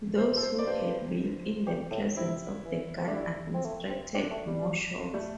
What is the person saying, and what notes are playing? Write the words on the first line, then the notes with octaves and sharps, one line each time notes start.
Those who had been in the presence of the gun administered more shocks.
C3 C5
A4
C5
D5
G2 C5
E2 G4
A2
C3 E4
E3
C4
A3 D4
G3 E4
C4
A3
C4
C4 D4
A3
G3
G3 A3